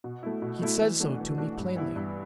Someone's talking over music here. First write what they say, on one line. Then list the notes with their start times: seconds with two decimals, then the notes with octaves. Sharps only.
He said so to me, plainly.
0.04 B2
0.23 A3 E4
0.42 B2
0.62 A3 E4
0.81 E3
1.00 A3 D4 F#4
1.20 E3
1.38 A3 D4 F#4
1.58 G2
1.76 E3 B3 E4
1.96 G2